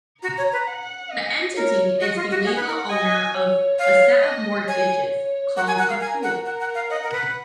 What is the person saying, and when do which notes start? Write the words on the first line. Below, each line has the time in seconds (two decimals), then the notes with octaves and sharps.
The entity is the legal owner of a set of mortgages, called a "pool".
0.22 F#4 A#5
0.38 C#5
0.52 B4
0.67 F#5
1.12 D#5
1.56 A#4 C#5
2.00 F#4 D#5
2.16 F4
2.30 F#4
2.45 G#4 F#5
2.56 B4
2.67 A#4
2.89 D#5 G#5
3.34 C#5
3.78 C#5 F5
4.23 D#5
4.67 C#5 G#5
5.57 A#4 F#5
5.67 G#5
5.79 F#5
5.90 F5
6.01 A#4 G#5
6.23 F#5
6.45 A#4 F#5
6.60 F#5
6.75 F5
6.90 D#5 F#5
7.03 A#4
7.12 B4